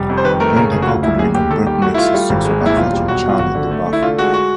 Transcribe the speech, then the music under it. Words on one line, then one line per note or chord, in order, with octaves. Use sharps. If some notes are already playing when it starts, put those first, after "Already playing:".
During their awkward reunion, Buck makes a sexual advance on Charlie in the bathroom.
Already playing: F1 G3
F2
C5
D#3 B4
A3 A#4
C#3 A#4
F#1 G#4
F#4
D2 F4
D2 E4
D#2 G#4
D#2 G4
D#3 A4
G3 G4
A3 F#4
E4
A3 F4
G3
G#1
G#3
D#2 E4
E1 F4
G3
B1 F#4
B1
F4
G#1 F#4
D3
A3
A3
E4
D3 F4
G#3 F#4
F#4